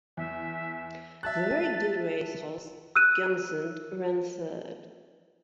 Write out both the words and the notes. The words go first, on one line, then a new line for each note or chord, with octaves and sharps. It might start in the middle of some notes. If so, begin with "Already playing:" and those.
The very good racehorse Gunsynd ran third.
E2 E5
E5 A5 F#6 A6
E6 F#6 D#7